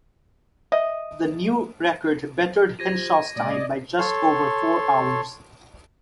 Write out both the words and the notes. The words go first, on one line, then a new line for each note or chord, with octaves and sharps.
The new record bettered Henshaw's time by just over four hours.
D#5 E5
F4 G4 C5 G#6 A#6 D#7
A#2 G#3 A#3 D5 D#5
A4 C#5 C6